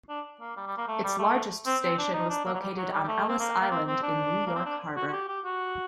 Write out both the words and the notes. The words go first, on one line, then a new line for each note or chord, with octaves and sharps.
Its largest station was located on Ellis Island in New York harbor.
D4
A#3
G3
G3
A#3
A3
G3
A3
C4
C4
D4
D#4
D4
A#3
F#3
G3
F#3
G3
G3
A3
C4
A#3
A#3
C4
C4
D4
A#3
C4
D4
F#4
F#4
G4
G4
F#4